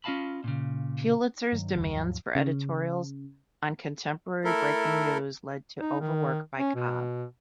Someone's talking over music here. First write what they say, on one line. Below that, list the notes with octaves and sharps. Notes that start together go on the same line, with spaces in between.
Pulitzer's demands for editorials on contemporary breaking news led to overwork by Cobb.
C#4 F4 D#5 F5 A5 B5
A#2 C#3
G2 D#3 F#3
F#1 D#2 D3 G3
D#2 G#2 F3 F#3
C#3
A3 E4 A4 A#4
D#4
D#3
C#4
B2